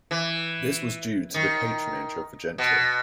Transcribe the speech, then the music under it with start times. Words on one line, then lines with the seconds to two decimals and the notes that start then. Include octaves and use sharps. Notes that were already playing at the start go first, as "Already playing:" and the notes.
This was due to the patronage of the gentry.
0.11 E3
1.34 D#3
2.58 B2